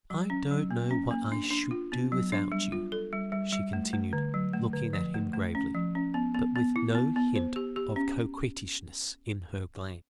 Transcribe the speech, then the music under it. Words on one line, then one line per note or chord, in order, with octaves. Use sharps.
"I don't know what I should do without you," she continued, looking at him gravely, but with no hint of coquettishness in her glance.
F#3
C#4
F#3
A#3
C#4
A#3
D4
D4
F4
B3
F#3
D4
G3
F4
A4
G3
G3
G3
A3
A3
D3
F#3
A3
D3
F3
A3
A3
C#4
F3
C#4
B3
B3
B3
E4
B3
B3
C5
G4
G4
C#4